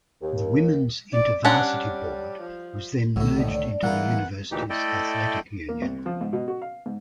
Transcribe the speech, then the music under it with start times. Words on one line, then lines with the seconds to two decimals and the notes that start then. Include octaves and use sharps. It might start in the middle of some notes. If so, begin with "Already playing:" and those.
The Women's Inter-Varsity Board was then merged into the Universities Athletic Union.
0.22 D#2
1.13 D5
1.45 G3 C#4 D4 F#5
2.41 F3
3.16 C2 A2 D3 D#3 A3 F#4
3.36 B2 G3 D#4
3.54 D4
3.83 E2 E3 G3 E4 A#4 F5 F#5
4.51 D2 A#2 E3 D#4 G4
4.70 A3 E4 A4 D5 D#5 G5
5.69 A#3
5.82 C2
6.06 F3
6.21 G#2
6.33 B2
6.48 F#4
6.62 F5
6.86 G#2